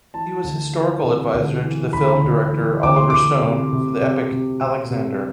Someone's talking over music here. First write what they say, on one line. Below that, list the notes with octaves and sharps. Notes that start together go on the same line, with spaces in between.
He was historical advisor to the film director Oliver Stone for the epic "Alexander".
E3 A5
D2
E3
C3
D2
E3
D2 B5
D2
E3
D2 D6
C6
D2 D6
C3
C3
C3
C3
C3 E6
C3